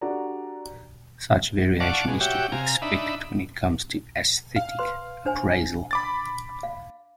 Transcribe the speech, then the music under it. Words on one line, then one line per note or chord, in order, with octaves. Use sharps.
Such variation is to be expected when it comes to aesthetic appraisal.
D4 F#4 G4 A4 D5 A#5
D5 F5 F#5 A5 C#6 D6
B2 G#3
F#4 G4 C#5 E5 G5 D6
C3 F5 G#5 A#5
D4 D#4 E5 B5
F5
B4 C6
D4 C5 G#5
B5 D6 A6
F5